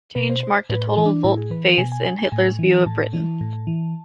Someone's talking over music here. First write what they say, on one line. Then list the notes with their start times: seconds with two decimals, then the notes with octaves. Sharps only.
This change marked a total volte-face in Hitler's view of Britain.
0.15 B2 B4
0.30 C5
0.43 C5
0.70 A2 B4
0.87 A4
0.97 E3
1.06 D4
1.24 A2 E4
1.37 G#4
1.50 E3 B4
1.65 C5
1.78 B2 G#5
1.92 G#5
2.05 G#5
2.19 G#5
2.32 A2 G#5
2.59 E3
2.86 A2 A5
3.13 E3
3.41 A2
3.67 E3